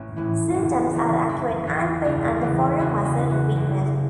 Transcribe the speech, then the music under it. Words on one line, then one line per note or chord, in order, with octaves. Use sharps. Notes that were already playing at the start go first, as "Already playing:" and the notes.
Symptoms are acute hand pain and forearm muscle weakness.
Already playing: A1 C#4 E4
A2 E3
F#1
E2 E3
F#1 E4
E2 E3
C#2
C#3 E3
C#2 C#4 F#4
C#4 F#4
C#3 E3
C#4 F#4
F#1